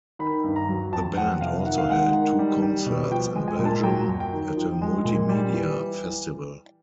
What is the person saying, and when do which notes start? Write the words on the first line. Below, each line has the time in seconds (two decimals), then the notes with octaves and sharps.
The band also held two concerts in Belgium at a multimedia festival.
0.19 D#3 B5
0.44 G2
0.56 A#5
0.69 F#3
0.92 F2 A5
1.17 F2 F#5
1.41 C3 F5
1.65 D#3 F#5
1.78 F5
1.89 G#3 F#5
2.13 D#3
2.39 G3
2.62 G3
2.86 B2
3.12 F3 G5
3.35 G#3
3.48 G#5
3.59 A#2
3.65 A5
3.83 F#3 G5
4.08 F#2
4.20 G5
4.33 D#3
4.57 F3
4.82 G#3
5.05 A#2
5.29 G3
5.53 E3